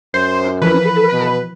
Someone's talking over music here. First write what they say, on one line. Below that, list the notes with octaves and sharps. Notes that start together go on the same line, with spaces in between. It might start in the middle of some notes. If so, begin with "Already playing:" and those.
I cou Could you do that?
F#2 C5
E3 F3 A#4 B4
B2